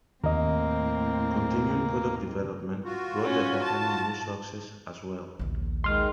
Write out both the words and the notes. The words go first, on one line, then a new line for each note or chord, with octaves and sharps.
Continuing product development brought the company new successes as w ell.
D#2 A2 A#3 C4 D#5
F4 F#4
C#4
A5
A#1 D#2
D#3 G#3 C6 F6